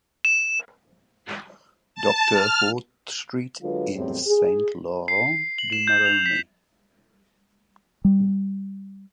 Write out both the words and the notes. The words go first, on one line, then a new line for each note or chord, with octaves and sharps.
Docteur Horth Street in Saint-Laurent-du-Maroni.
E7
A5
F6
D3 F#3 G#3 F4 B4
E2 A2 F#3 G3 C4
G#4
C7
F#7
E7
G6
F7
B6
G3